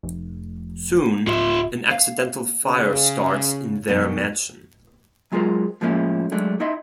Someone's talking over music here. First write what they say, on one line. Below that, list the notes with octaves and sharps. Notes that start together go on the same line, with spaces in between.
Soon, an accidental fire starts in their mansion.
F1
D1 F4 E5
F5
C#3
F#2 B2 D#3
F#3 G#3 F4 G#4 A#4 C5
A2 F3 G#3 A#3 C#4 E4
F#3 G#3 A3 D4
D#4 E4 D#5 E5 C6